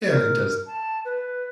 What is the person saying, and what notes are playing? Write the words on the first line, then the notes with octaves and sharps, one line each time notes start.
Yeah, it does.
A#4
A5
B4